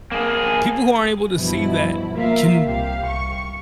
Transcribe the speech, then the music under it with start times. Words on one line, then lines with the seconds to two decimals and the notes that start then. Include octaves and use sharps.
people who aren't able to see that can
0.12 A#3 G#4
1.34 G2 B2 E3 F3 E4
2.13 A#3 F4 A#4 E5 F5
2.63 C2 G4 F5
3.07 C#6